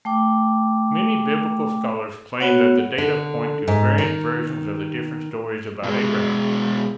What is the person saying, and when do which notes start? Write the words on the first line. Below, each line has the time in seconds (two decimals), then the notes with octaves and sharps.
Many Biblical scholars claim that the data point to variant versions of the different stories about Abraham.
0.05 A3 G5 D6
2.41 B3 F#4 C#5 F#5
2.98 D3
3.68 G#2
3.98 D#3
5.83 B2 G#3